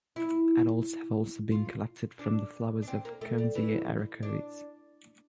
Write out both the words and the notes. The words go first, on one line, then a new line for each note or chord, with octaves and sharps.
Adults have also been collected from the flowers of "Kunzea ericoides".
E4
F4
D4
D4
C4
A#3
A3
G3
E3
D4